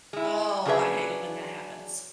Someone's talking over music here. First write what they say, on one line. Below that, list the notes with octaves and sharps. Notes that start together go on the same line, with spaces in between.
Oh, I hate it when that happens.
G#3 E4
C#3 F#3 D4 G#4 B4 E5